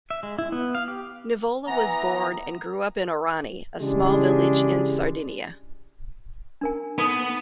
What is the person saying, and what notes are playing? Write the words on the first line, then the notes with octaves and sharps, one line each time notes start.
Nivola was born and grew up in Orani, a small village in Sardinia.
E5
G#3
E4
B3
F5
G4
E3 B3 A#5
C#3 E3 G#3 D4 E4 G4
D4 A#4 G#5
B3 D#4 A4 D#6